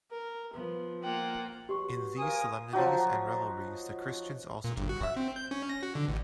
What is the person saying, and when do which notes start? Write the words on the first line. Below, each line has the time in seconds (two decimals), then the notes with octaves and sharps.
In these solemnities and revelries the Christians also took part.
0.11 A#4
0.54 F3 B3
1.03 A#3 F4 F#5 G5
1.69 B2 F#3 G4 C6 C#6
2.18 A#4 C5 F5 G#5 D#6
2.73 F3 F#3 D#4 F#4
4.64 A#2
4.77 G1
4.89 F#4
5.03 E5
5.16 C4
5.36 G6
5.51 C#4
5.69 A#6
5.83 F#4
5.95 D3
6.08 A1